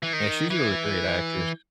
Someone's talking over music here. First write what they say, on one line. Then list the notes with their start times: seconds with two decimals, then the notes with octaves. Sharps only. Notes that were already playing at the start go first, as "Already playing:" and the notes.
Yeah, she's a really great actress.
0.03 E3
0.13 D#3
0.50 E3